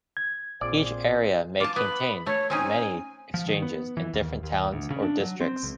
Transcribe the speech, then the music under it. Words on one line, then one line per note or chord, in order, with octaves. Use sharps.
Each area may contain many exchanges in different towns or districts.
G#6
A#1 C4 F4 G#4 D5
F4 A5 D6
B3 B5
A3 C#5
C4 C#4 D#4 G#5
F3
D#3
B3
E3
D#2
D#2
D2
C#3
D4
F#3
C4
C#2